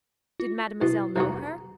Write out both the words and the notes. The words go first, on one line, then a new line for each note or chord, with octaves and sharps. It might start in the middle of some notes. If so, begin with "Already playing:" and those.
Did mademoiselle know her?
F4
B2 E4
B1 E2 F#4 A#5